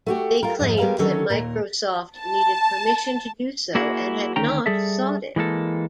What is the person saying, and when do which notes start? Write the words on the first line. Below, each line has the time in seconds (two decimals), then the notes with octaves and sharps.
They claimed that Microsoft needed permission to do so and had not sought it.
0.06 A3 F#4 G4
0.43 F4 A#4
0.59 F2 G#2 F3 D#5
0.78 G3 G#3 B3 A#4 F5
0.99 D3 D#3 F#3 C#4 A4 C#5
1.30 D#2 A#2 A#4
2.18 A5
3.75 A#3 E4 F#4 G#4
4.36 D2 D#3 C#4 G5 A#5
4.66 G3 G#4 A4 E5
5.36 E3 G#3 A#3 A4